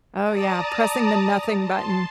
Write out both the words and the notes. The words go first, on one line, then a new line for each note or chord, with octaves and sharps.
Oh, yeah, pressing the nothing button.
D5 A5 A#5 D#6
A5 C6